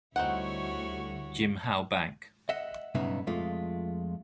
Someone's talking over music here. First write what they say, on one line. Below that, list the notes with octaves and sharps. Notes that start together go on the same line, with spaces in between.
Jim Howe Bank.
D2 G3 C4 D#4 E4 F#4 C#5 F#5
D#5 E5 F#5
B1 G2 C#3 B3 D#4 E5
F2 G#3 A3 F4